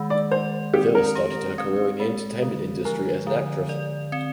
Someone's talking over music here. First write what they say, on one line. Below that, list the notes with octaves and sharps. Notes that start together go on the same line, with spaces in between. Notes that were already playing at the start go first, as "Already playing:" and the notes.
Villa started her career in the entertainment industry as an actress.
Already playing: D#3 G#3
D5
C5 D5
C4 G4
A#4
G4
C4
G#3
D3
F3 A#4
D3
D5
C4